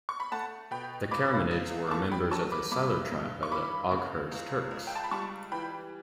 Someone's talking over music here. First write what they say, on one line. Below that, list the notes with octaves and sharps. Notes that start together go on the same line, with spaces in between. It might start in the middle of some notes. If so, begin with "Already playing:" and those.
The Karamanids were members of the Salur tribe of Oghuz Turks.
C#6
B5
A3 F#5 A5
B2 G5 B5
C#2 B5 D6
C#2
D6
A3 A5 C#6
G5 B5
F#3 A5 C#6
B5 D6
G2 B5 D6
G2
C#6
E3 B5 D6
C#3
C#2
C#2
G5
A5
B5
G3 A5 C#6
E3 G5 B5